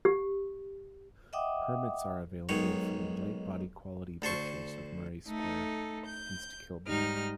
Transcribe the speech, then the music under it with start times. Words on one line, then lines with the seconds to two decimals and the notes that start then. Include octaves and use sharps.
Permits are available from Lightbody Quality Butchers of Murray Square, East Kilbride.
0.05 G4
1.33 D#5 E5 F#5 G5 D6 D#6
2.49 B1 G#2 D#3 C#5
4.22 D2 A4 C5 C#6
5.28 A3 D#4 A4
6.06 G6
6.87 G#2 G3 D#4 F6